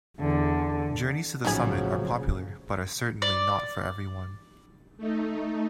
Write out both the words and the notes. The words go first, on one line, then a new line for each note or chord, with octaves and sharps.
Journeys to the summit are popular, but are certainly not for everyone.
E2 D3
A#1 A2 C#3 F3 F#3 B3 D#4 G#4
D5
A3 D#4